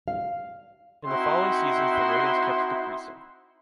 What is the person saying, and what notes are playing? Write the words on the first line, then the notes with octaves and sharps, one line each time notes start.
In the following seasons the ratings kept decreasing.
F5
C4 D#4 E4 F#4 E5 C6